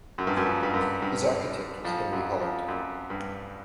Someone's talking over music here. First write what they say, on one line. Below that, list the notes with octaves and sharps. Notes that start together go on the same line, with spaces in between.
His architect was Henry Holland.
F#2
G2
F#2
F2
G2
F#2
G2
F2
F#2
F2
F#2
G2